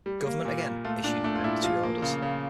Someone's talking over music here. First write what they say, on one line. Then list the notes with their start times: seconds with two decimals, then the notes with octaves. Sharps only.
Government again issued prohibitory orders.
0.06 G3
0.26 A#3
0.45 A#2
0.66 A#2
0.85 A3 F4
1.04 A#2 D4
1.24 A3 D4
1.35 F4
1.43 A#2 E4
1.63 F3 F4
1.83 A#3
2.02 C#3
2.22 C#3